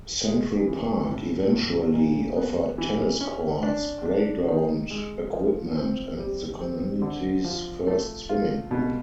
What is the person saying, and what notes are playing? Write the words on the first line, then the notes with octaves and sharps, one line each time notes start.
Central Park eventually offered tennis courts, playground equipment, and the community's first swimming pool.
G#3
E3
A2
A2
A#2
B3
E3
C#4
D4
D4
D#3
G#3
F3
C4
G3
C4
D3
F3
A3
F4
B2